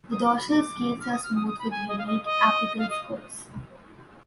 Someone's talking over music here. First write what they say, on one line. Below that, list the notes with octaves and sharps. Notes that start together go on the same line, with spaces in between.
The dorsal scales are smooth with unique apical scores.
D#6
D6
B5
D6
F6
D#6
F6
D#6
D#6
B5
G#5
D#5
F5
D#5
D#5
F5
D#5